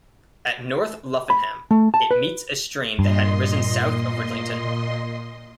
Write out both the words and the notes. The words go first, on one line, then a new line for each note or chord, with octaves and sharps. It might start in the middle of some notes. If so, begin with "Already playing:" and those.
At North Luffenham, it meets a stream that had risen south of Ridlington.
B5
A3
A5
B4
G2 A#2 D#5 C6